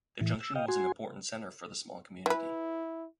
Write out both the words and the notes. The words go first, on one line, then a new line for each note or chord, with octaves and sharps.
The junction was an important centre for the small community.
A2 E3
E6
D#5 F5 G5
F#4 G#5 C6
E3 E4 B4